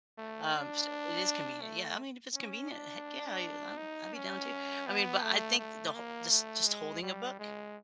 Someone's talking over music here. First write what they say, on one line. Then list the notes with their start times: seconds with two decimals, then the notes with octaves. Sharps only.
Um, so it is convenient. Yeah, I mean, if it's convenient, heck, yeah, y I'm I'd be down too. I mean, but I think the hol just just holding a book,
0.18 A3
0.54 D4
1.61 A3
2.34 C#4
2.70 D4
3.78 D#4
4.14 C#4
4.87 B3
5.22 A3
5.58 A3
5.94 A#3
6.30 A3
6.66 G#3
7.02 G3
7.39 G#3